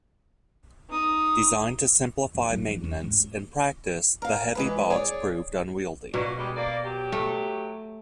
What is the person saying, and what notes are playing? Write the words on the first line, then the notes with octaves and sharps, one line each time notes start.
Designed to simplify maintenance, in practice the heavy box proved unwieldy.
D#4 D#6
G2
F#3 D#4
E3
E2 C#4
G#1 C#2
A#4 F5
E3 G#3 B4
G#4 C#5 D5
B2 A#3 C#4 D4
G3 G#3
A#3 D5
F#3 G4
A3